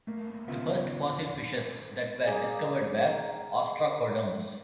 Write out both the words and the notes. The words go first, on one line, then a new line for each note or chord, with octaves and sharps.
The first fossil fishes that were discovered were ostracoderms.
A3 A#3
D#2 C#3 B3 F4 E5
A#3 G#4 D5 D#5